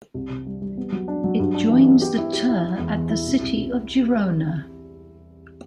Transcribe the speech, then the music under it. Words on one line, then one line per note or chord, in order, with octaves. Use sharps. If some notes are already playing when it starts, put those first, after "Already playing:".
It joins the Ter at the city of Girona.
C2
C3
G3
G3
B3
F#3
D4
F#3
G2
D4
E3
B3
G4
E4
G4
E4
E4
E2
E2
E4
C2
C2
C2